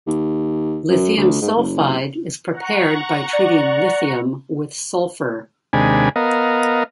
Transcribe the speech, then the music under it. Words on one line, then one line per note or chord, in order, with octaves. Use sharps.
Lithium sulfide is prepared by treating lithium with sulfur.
D#2
F#2
D2
G#2
F#1
F#5 A#5 C#6
D5
D#2 C3 G#3 D4 G#5 B5
B3 A#4 D#5 F5